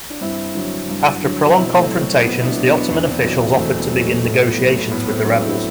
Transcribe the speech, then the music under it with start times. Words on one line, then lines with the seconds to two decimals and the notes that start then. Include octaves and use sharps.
After prolonged confrontations the Ottoman officials offered to begin negotiations with the rebels.
0.10 D4
0.21 G2 C4 E4
0.55 D3 F#3
0.89 G2
1.23 D3 F#3
1.46 F#4
1.55 B2 C4 E4
1.78 A3 C4
1.89 F#3
2.01 A3
2.23 B2 B3
2.40 E4
2.45 B3 D4
2.57 F#3
2.67 B3 D4
2.90 E2 E4
2.97 D4
3.04 C4
3.11 B3 D4
3.23 B2 F#3
3.57 E2 A3 C4
3.80 B3
3.91 B2 F#3
4.02 A3
4.25 A2 A3
4.47 B3
4.58 F#3
4.68 A3
4.92 A2 B3
5.08 A3 C4
5.25 F#3 B3 D4
5.41 C4 E4